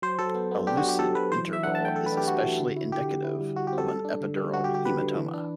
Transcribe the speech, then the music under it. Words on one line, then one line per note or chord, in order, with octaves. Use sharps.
A lucid interval is especially indicative of an epidural hematoma.
F#3 C5
F#3 A4
B3
B3
D4 G4
F#4
F#3
G4
F#3 A4
F#3 B4
E3 C5
E3
E5
D4 F#5
A5
A3
G5
A3 A4
B4
D4
G4
A3 F#4
E3
D3
E4
D3 G4
D3
E4
G3
G3 F#4
G4
C4
A4
G3 A4
D4
D3
G3
D3 F#4
G4
D3
G4
D3 B4
D3
E3
D4